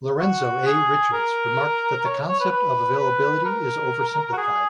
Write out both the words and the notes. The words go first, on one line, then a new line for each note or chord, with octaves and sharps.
Lorenzo A. Richards remarked that the concept of availability is oversimplified.
F#4
G#4
A#4
C#5
C#5
B4
B4
B4
A#4
F#4
G#4